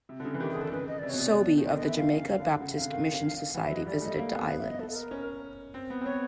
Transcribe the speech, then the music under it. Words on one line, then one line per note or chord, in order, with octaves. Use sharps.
Sobey of the Jamaica Baptist Mission Society visited the islands.
C3
D3
C#3
E3
D#3 G4
G#4
D3
A4
C#3 B4
D#5
C3 D5
B2 C#5
C3 D5
B2
D#3
D3 D#5
D#5
E3
E5
D#3 F5
C#3
D3
D3
C#3 F#5
C3 F5
D3
D#3 F5
E3 F#5
E5
F#3 D#5
G3 D5
A3 D#5
A#3 F5
B3
F5
E5
D#5
A4
A4
A#4
C#4
C4
B3
C4
B3 C#5